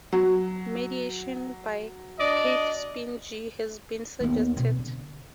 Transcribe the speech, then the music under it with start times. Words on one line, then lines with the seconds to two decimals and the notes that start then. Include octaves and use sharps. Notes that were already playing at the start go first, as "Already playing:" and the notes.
Mediation by cathepsin G has been suggested.
0.13 F#3
2.20 D4 D5 D#5
4.20 D#2 B3
4.57 B2 C4
4.79 D3